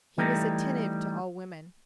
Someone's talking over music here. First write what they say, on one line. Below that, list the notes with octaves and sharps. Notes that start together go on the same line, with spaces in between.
He was attentive to all women.
E3 G3 A3 D#4